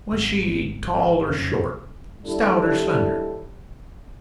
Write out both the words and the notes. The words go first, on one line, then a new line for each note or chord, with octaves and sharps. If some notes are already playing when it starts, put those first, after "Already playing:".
"Was she tall or short, stout or slender?"
G#1
F#1 F2 C#4
D#2 G3 D4 E4 G4 A4